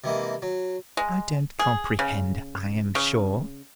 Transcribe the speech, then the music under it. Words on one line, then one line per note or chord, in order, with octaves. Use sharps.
"I don't comprehend, I am sure."
C3 E3 G#3 A#3
F#3
G#3
G#4
C#3
C#3